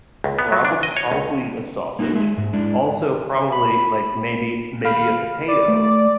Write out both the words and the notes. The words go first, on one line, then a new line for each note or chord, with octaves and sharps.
probob probably a sausage. Also, probably, like, maybe maybe a potato
C#2
B3
F#3
D4
D#5
C#5
C#2
A#3 D#4 E4 F#4 A#4
G#3 G#4 E5
G#2
G#3 D4 E4
B5
G#4 F5 B5
D5
A3